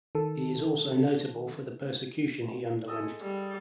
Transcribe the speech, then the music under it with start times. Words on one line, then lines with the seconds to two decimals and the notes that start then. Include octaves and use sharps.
He is also notable for the persecution he underwent.
0.15 D#3 A4
2.88 G#3 A4 D#5
3.21 G3